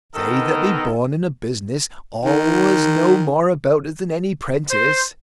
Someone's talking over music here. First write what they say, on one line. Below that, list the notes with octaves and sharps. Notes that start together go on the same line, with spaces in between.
They that be born in a business always know more about it than any 'prentice.
D#3 B3 D#4 A4 A#4 D#5
D#3
C5